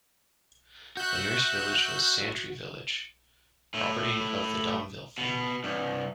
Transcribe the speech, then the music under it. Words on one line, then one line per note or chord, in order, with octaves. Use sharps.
The nearest village was Santry Village, property of the Domville family.
F#4 E5 C#6 E6 F#6 G6
A2 E4
B2
C2 G2